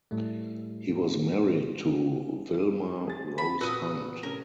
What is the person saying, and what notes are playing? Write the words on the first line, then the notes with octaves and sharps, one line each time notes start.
He was married to Vilma Rose Hunt.
A2 G3 A3
G4 G#4 A6
B5
A#2 F#4 B4 D#6 E6
A2 C3 C#4 A#4